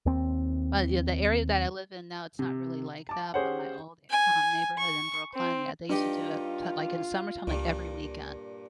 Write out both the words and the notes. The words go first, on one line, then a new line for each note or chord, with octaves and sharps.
but, you the area that I live in now, it's not really like that, but my old, e um, neighborhood in Brooklyn, yeah, they used to do it to t like, in summertime, like, every weekend,
D#2 C4
C3
A5 D6
C#4 G4 G#4 C5 C#5 F#5
G#5
C#6
C4
G2 D4 D#4 F4 G4
C#2 G2 A#2